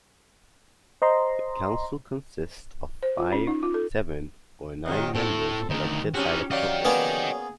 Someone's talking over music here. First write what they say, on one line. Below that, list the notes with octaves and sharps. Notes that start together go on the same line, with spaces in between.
The council consists of five, seven, or nine members elected by the public.
C5 D#5 A#5 C6
C5
F4
C#4
D#4
F4
A4
C3 D#3 F#3 D#5
A2 C4 A4
D2 D#3 D#4
C4 C#4 D#4 F#4 G4
F#3 D5 D#5 F5 G5
A#3 B3 C#4 G#4